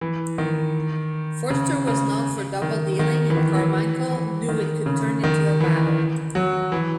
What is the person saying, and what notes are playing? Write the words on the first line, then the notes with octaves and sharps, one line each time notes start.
Forster was known for double-dealing, and Carmichael knew it could turn into a battle.
E3
D#3
C#3
C#3
D#3
D#3
E3
D#3
E3
E3
D#3
C#3
D#3
E3
F#3
E3